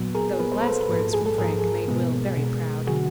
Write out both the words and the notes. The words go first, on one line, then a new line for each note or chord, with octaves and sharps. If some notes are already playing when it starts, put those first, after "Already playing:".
Those last words from Frank made Will very proud.
Already playing: A#2 F#3 B3
G#4 A#4
A#2 F#3 B3 B4
C5
A4 B4
G#2 F3 A#3
G#4
A4
G#2 F3 A#3 G#4 A#4
B2 G#3 B3
B2 G#3 B3
D3 F#3 A#3 F#4 G#4